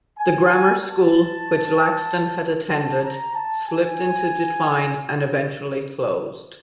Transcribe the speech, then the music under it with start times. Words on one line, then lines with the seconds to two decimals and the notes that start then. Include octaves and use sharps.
The grammar school which Laxton had attended slipped into decline and eventually closed.
0.19 G#5
0.82 A5
2.71 A5
3.03 A#5
3.34 A5
3.66 G#5